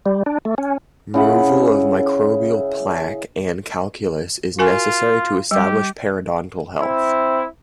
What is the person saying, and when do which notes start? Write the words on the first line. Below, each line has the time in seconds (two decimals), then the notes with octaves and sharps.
Removal of microbial plaque and calculus is necessary to establish periodontal health.
0.06 G3
0.26 D4
0.45 A3
0.58 C#4
1.14 C#3 E4 F#5
4.59 F4 F#4 A#4 G#5
5.51 G3 G4
6.80 C4 E4